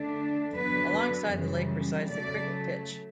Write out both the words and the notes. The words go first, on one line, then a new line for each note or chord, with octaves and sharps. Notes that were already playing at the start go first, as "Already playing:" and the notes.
Alongside the lake resides the cricket pitch.
Already playing: D3 A3 D4
D3 F#3 B3 B4
F#2 C#3 E3 G3
C#3 F#3 A3 D5